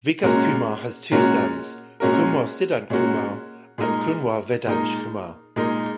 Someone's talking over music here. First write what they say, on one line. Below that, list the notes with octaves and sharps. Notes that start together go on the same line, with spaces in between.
Vikas Kumar has two sons kunwar Siddhant kumar and kunwar Vedansh kumar.
A#2 G#3 C#4 F#4 A#4
A#2 G#3 C#4 F#4 A#4
A#2 G#3 C#4 F#4 A#4
A#2 G#3 C#4 F#4 A#4
A#2 G#3 D#4 A#4
A#2 G#3 D#4 A#4
A#2 G#3 D#4 A#4